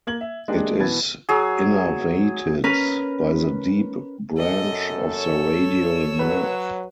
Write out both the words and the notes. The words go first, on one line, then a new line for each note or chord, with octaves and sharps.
It is innervated by the deep branch of the radial nerve.
A#3 G#6 F#7
E5
G#3 A#3 D4 G4 G#4
B2 E3 B4 B5 G#6 A6
F#3 G#4
C#4 A#4 B4
F#2 A4 D#5
C#5 E6
F#3 B4